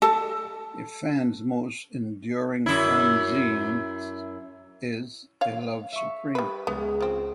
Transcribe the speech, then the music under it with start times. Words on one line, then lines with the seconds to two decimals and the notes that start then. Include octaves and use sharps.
The fans most enduring fanzines is "A Love Supreme".
0.02 A4 A5
2.66 F#2 E4
5.41 C#5 F5
5.92 E5 C#6
6.35 G3 B4
6.67 C#2 G#3 B3
7.01 F3 C4